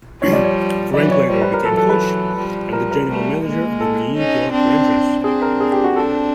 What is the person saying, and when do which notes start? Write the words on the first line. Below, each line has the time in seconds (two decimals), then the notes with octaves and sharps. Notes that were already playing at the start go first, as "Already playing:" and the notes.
Frank later became coach and the general manager of the New York Rangers.
0.22 F3 G3 C#5
0.33 D5
0.44 C#5
0.94 E3 F#3 D5
1.11 C#5
1.29 F3 G3 C5
1.42 B4
1.54 A#4
1.65 E3 F#3 A4
1.77 A4
1.89 B4
2.37 F3 G3
2.73 A#4
2.91 A#4
3.09 G3 A3
3.45 G#3 A#3
3.80 A4
4.17 C#4 D#4
4.52 C4 D4
5.24 C4 D4 G#4
5.42 A#4
5.61 G#4
5.72 G4
5.84 F#4
5.96 C4 D4 A4